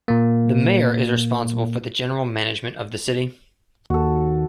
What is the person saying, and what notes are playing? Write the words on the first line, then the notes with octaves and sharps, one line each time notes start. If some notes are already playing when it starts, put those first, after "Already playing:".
The mayor is responsible for the general management of the city.
A#2 A#3
D#2 F#4 A4